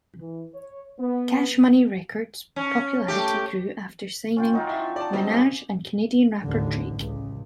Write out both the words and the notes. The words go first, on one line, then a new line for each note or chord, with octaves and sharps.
Cash Money Records popularity grew after signing Minaj and Canadian rapper Drake.
E3
C#5
B3
C#4
A3 G4
C#4 F4 G5
F#3 D#4 F4
E4
D5 A5
G3 C4 D4 D#4
G#3 A#3 G#4
A1 D#2 D3
C#2